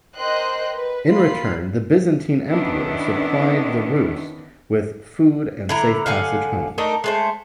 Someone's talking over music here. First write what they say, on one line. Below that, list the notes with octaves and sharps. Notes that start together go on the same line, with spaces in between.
In return, the Byzantine emperor supplied the Rus' with food and safe passage home.
A#4 C5 D#5 G5 C6 F#6
B4
A#3 F4 B5 C7
D#3 B3 C#4 D4 E4
D3 E4 A#5
D3 F5 F#5 G#5
A3 D4 D#4 A#4
G#3 A3 C5